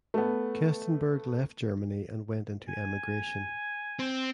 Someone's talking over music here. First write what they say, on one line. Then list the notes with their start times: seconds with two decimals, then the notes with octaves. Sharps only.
Kestenberg left Germany and went into emigration.
0.14 A3 B3
2.68 G#5
3.99 C4